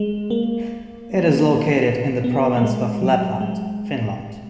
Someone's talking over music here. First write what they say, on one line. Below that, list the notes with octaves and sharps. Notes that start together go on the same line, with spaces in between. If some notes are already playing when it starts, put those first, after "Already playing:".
It is located in the province of Lapland, Finland.
Already playing: G#3
A#3
B3
A#3
G#3
F#3
G#3